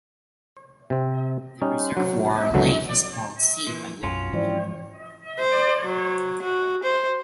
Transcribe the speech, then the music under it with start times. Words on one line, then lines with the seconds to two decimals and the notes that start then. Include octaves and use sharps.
The reservoir lake is called "sea" by local people.
0.90 C3 C4
1.62 G3 C#4 D#4
1.97 F#3
2.54 C#2 D3 E3 F#3
3.67 A#2 E3
4.03 B1 F#2 F#3 C#4 F4
4.33 G#2 E3 F3 C4 E4 D5
5.39 C5
5.85 F#3
6.43 F#4
6.83 C5